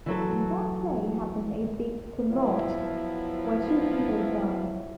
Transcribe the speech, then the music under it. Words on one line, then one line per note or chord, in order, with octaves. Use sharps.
On that day happened a big tumult, where two people died.
E3 F#3 A4
F3 F#3 B3 E4